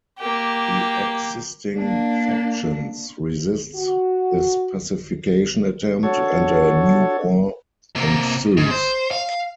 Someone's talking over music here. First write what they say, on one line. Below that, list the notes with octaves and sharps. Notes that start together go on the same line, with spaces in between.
The existing factions resist this pacification attempt, and a new war ensues.
A#3 G4
A#3 D4
F#4
D4 F#4 A4 C#5
C3 A#3
G#2
C5
F5